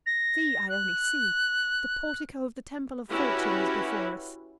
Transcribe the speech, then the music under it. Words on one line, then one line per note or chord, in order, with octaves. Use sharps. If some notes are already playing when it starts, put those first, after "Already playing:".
See, Ione--see! the portico of the Temple of Fortune is before us.
A#6
F#6
C#4 E4 F#4 G4 B4